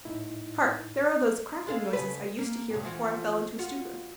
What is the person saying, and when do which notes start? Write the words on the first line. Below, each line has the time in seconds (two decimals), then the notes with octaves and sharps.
Hark! there are those crackling noises I used to hear before I fell into a stupor.
0.05 A2 D#4 E4
1.67 G#3 A4 F5
1.93 C#3 A3 B4
2.39 A#3
2.70 G2 C#3
2.83 E3 F3 F#4
3.59 F4 F#4